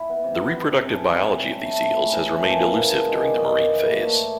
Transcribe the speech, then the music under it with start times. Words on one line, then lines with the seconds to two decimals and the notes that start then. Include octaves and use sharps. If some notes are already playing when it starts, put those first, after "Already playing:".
The reproductive biology of these eels has remained elusive during the marine phase.
Already playing: E4 B5
0.09 B3
0.24 C3
0.41 C3
0.48 C6
0.55 G2 B5
0.71 C4 A#5
0.83 C#4 A5
0.95 A#5
1.03 E4
1.18 G3
1.34 G3
1.50 A3 A5
1.65 A3 A#5
1.81 A2 C6
1.92 C#4 A#5 B5
2.13 E3 A#5
2.29 E3
2.34 A5
2.44 A#3 G#5
2.54 A5
2.60 A#3 A#5
2.75 C#3 A5
2.91 C#3
3.07 G#3
3.22 D#3
3.27 D5
3.38 F#2 D#5
3.54 F#2
3.69 E3
3.85 A#3
3.94 C#5
4.00 A3 D5
4.16 C#5